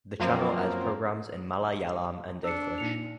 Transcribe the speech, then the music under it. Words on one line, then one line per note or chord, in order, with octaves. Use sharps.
The channel airs programs in Malayalam and English.
F#2 F3 A#3 C4
D4 E6 F#6 C#7
A#2 D#4 C#7 F7